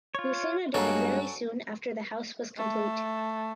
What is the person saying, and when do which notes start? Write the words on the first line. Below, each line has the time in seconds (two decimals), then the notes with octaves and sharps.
Lucena died very soon after the house was complete.
0.15 F4 C#5
0.74 G2 F#3 G#3 A#3 C#4 F#4 A4
2.57 A3